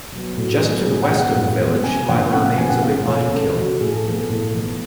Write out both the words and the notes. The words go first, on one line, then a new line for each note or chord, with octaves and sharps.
Just to the west of the village lie the remains of a lime kiln.
F#3 B3
A2 F#4
G#4
F#3 B3
A4
A2 G#4
F#5
F3 G#3 B3 F5
F#5
A2 F#5
F3 G#3 B3
C#3 G#5
F3 B3 D4 F#5
C#3 F#5
F#5
F3 B3 D4 G#5
F#5
C#3 F5
F3 A3 C#5
C#3 A4
F3 A3 F#4
A2 G#4
A4
F3 B3 G#4
A4
A2 A4
F3 B3